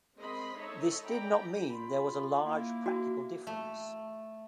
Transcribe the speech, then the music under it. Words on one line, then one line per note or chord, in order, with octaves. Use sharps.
This did not mean there was a large practical difference.
G#3 C4 A#4 D#5 B5 C6
D#4 A4 C#5 D#5 E5
D5 G5 A#5 B5
F4 B5
A#3 E4
F#4
A3